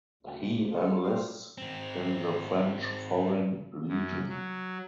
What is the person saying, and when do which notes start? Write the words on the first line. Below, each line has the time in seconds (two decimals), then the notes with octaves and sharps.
He enlists in the French Foreign Legion.
0.23 D2
0.71 G#3 B3 F4 A4
1.03 G3 F#4 C5 F5
1.58 G#2 C4
3.88 F#2
4.29 F#3